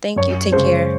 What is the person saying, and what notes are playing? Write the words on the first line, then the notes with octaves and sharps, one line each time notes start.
Thank you, take care.
F#2 C#5
C#3 G#3 C#4 C5